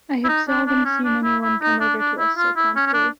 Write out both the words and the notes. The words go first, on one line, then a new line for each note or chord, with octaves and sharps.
I have seldom seen anyone come over to us so promptly.
E4
D#4
D4
D4
C#4
D4
E4
E4
D#4
D4
D4
E4
F4
E4
C#4
C#4
D4